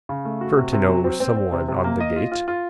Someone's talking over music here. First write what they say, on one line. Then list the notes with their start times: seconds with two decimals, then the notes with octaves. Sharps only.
Sure to know someone on the gate.
0.09 C#3
0.25 A3
0.41 F#4
0.57 C3
0.73 C3
0.89 F#3
1.04 C4
1.20 C4
1.36 C4
1.52 C3
1.68 C3
1.84 A#3
2.00 D#5
2.16 F4
2.32 F4
2.48 F4